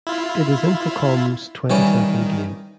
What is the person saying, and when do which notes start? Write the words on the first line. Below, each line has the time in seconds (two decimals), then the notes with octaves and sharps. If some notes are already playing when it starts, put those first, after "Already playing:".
It is Infocom's twenty-second game.
0.07 E4 F4
1.70 D#3 E3 G3 C#4